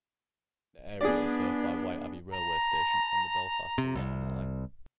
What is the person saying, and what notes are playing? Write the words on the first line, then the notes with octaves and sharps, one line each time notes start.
The area is served by Whiteabbey railway station on the Belfast to Larne line.
B3 D4 G#4 D5
A#5
C3
C2